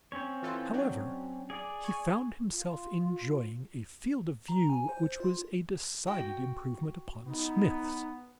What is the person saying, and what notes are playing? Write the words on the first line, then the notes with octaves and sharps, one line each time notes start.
However, he found himself enjoying a field of view which was a decided improvement upon Smith's.
C4 C#4 C#5
E3 F4 A4
F#3 D4
G#4 D5
G#5 C#6
F4
A#5
G#5
C5
F4
F#4 G5
B3 D#4